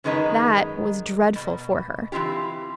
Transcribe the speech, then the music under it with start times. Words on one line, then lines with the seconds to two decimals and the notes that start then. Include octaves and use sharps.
That was dreadful for her.
0.04 F#2 D#3 G#3 D#4 B4
1.35 B2
2.12 E3 F3 C4 F4 G4